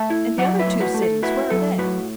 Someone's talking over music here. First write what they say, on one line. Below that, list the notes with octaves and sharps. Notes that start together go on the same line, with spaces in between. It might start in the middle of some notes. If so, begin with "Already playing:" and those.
"And the other two cities----where are they?"
Already playing: A3 E5 A5
E4
F#3 D5 F#5
B4 E5
A2
F#4 B4
A3
A4
E4 F#4 B4
F#3 A4
A2 F#4 B4